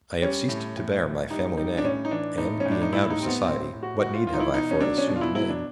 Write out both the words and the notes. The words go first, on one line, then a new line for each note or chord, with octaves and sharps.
I have ceased to bear my family name; and, being out of society, what need have I for an assumed name?
G3 C#4
A2
A2
A2
G3 D#4
G3 D#4
D4
A2 C#4
D#4
E3 D4
A2 D#4
C#4
A2
D4
D#4
A2 E4
D#4
G3 C4
B3
A2 C4
A2
F#4
A2 F#4
F4
E3 F4
D#4
E4
B2 D#4
C#4
F#3 D4
C#4
B2 D4
F4
E4
F#3 E4
D4